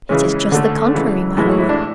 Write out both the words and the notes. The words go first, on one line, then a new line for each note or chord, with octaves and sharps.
'It is just the contrary, my lord!
C#3 E3 G#3 C#4
D3 A3
C#3 E3 G#3
A2 E3 G#3 E4
F#4
E4
D4